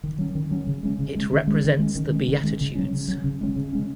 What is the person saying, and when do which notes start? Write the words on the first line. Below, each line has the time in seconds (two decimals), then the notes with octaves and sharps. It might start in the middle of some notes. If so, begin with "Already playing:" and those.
It represents the Beatitudes.
0.03 D#3
0.18 F#3 C#4
0.35 D#3
0.51 F#3 C#4
0.67 C#3
0.83 G#3 C#4
0.99 C#3
1.15 G#3 C#4
1.32 D#3
1.47 G#3 C#4
1.64 D#3
1.79 G#3 C#4
1.95 D#3
2.12 G#3 C#4
2.28 D#3
2.44 G#3 C#4
2.61 C#3
2.75 F#3 C#4
2.93 C#3
3.08 F#3 C#4
3.24 C#3
3.41 G#3 C#4
3.56 C#3
3.73 G#3 C#4